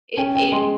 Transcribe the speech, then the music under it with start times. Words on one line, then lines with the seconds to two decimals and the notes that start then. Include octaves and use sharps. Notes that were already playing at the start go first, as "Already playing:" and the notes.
It it
0.17 C#4 G5
0.35 G5
0.52 G#3 C6